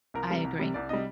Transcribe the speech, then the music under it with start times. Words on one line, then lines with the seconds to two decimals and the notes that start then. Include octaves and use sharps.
I agree.
0.14 C2 A#4
0.30 C3 G3
0.45 C2
0.59 C3 G3
0.74 C2 D5
0.89 C3 G3 D#5